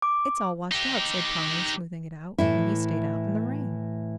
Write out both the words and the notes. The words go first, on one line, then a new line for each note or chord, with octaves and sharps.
"It's all washed out," said Polly, smoothing it out, "when you staid out in the rain."
D6
D#4 G4
A2 E3 E4